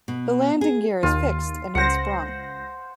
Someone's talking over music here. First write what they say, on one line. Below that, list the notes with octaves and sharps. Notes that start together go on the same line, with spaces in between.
The landing gear is fixed and unsprung.
B2
G#4
D#2 F4
C#2 C5 F#5 A#6